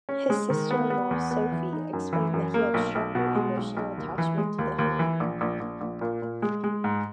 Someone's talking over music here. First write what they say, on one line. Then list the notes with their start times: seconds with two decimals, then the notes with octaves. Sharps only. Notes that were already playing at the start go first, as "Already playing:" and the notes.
His sister-in-law Sophie explained that he had a stronger emotional attachment to the home.
0.09 C#4
0.30 G#3
0.50 D#3
0.71 B3
0.90 B3
1.11 E2
1.31 B3
1.52 E3
1.73 D#4
1.93 F#2
2.13 E3
2.34 F#2
2.54 A#3
2.74 B1
2.95 B1
3.15 B2
3.35 G#3
3.57 B1
3.77 B1
3.98 D#2
4.18 E3
4.38 G#3
4.59 D#2
4.79 D#2
4.99 E3
5.20 A#1
5.41 A#1
5.60 A#1
5.81 A#1
6.01 A#2
6.22 A#2
6.42 G#3
6.64 G#3
6.84 G#2